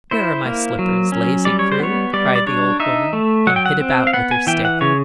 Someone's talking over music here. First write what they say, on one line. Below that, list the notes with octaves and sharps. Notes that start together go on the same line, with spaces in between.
'Where are my slippers, lazy crew?' cried the old woman, and hit about with her stick.
E4 C5
A#3
F#3
C#4
G3 D5
C#5
C5
B3 C#5
G3 D5
D5
D4 C#5
D#4 E5
A3
F#3 F#5
G5
F#5
C4
F5
B3 F#5
G#5
E3 G5
F#5
C#3 C#5